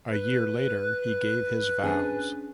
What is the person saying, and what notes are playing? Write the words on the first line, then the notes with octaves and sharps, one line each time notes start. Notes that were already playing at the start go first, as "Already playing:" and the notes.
A year later he gave his vows.
B4
C#4 D4 G#4